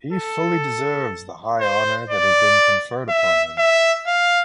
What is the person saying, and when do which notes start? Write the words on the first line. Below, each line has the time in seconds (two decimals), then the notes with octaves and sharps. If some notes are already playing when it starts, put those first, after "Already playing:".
He fully deserves the high honour that has been conferred upon him.
0.13 A4
1.60 C5
2.10 D5
3.09 E5
3.58 E5
4.07 F5